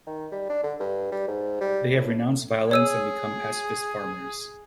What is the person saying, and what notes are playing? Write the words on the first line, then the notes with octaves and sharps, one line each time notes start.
They have renounced violence and become pacifist farmers.
D#3
G3
D4
D3
G2
G3
G#2
G3
A2
G#4 C#5 E6 D#7